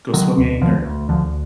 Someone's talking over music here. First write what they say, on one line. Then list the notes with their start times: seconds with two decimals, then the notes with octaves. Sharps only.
go swimming, or
0.14 D3 D#3 F#3
0.38 D2
0.61 D2 D3 F3
0.85 D2
1.09 D2 D3 F3